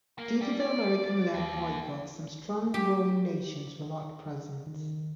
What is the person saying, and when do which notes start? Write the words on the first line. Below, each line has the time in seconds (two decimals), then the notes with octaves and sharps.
Due to the American-led boycott some strong rowing nations were not present.
0.18 A#3
0.41 G4 D5
0.60 D5
1.34 D#2
2.74 G4
4.66 D#3